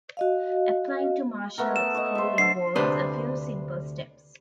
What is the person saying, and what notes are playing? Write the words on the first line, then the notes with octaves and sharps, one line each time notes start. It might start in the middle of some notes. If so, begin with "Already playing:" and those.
Applying to Marshall School involves a few simple steps.
F#4 D#5 F5
A3 B3 A#4
A4 E7
C#5 D#5
C5 E5
D3 A4 C7
D2 C3 D4 B4 C5 C6